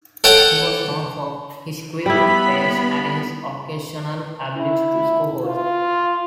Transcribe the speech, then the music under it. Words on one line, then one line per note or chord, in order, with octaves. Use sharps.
He was known for his quick pace and his occasional ability to score goals.
A4 C#5 F#5 G5 A5
G3 B3 E4 B5
E4
F4